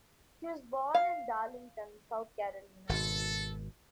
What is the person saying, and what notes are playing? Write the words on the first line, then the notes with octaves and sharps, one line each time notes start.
He was born in Darlington, South Carolina.
F5
G#1 B2 A4